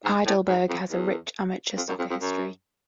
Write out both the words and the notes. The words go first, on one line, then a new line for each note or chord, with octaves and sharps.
Heidelberg has a rich amateur soccer history.
G#2
A2
G#2
F2
E2
F2
F#2
F2
F2
F#2